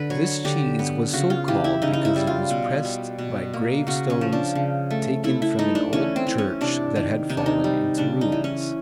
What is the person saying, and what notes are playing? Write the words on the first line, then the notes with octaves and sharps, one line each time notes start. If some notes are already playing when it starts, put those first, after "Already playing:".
This cheese was so called because it was pressed by gravestones taken from an old church that had fallen into ruins.
Already playing: D3 B4
F#3 C#5
D3 G4
B3
C#3 F#4
F4
E3 G4
E4
C#3 D#4
D#4
E4
G3
F4
B2
G3
B2
A#3
C#3 F#4
C#4
F3
D4
C#3
A3
A3 E4
E4
A3 D#4
D4
E3 C#4
C4
E3
C#4
C3 D4
D#3
C3 D#4
D4
D#4
G3
C#3 D4
D#4
E3
C#4